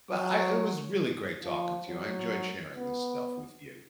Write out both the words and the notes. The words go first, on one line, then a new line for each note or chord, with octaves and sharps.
But I it was really great talking to you. I enjoyed sharing this stuff with you.
F#3
F3
F#3
B3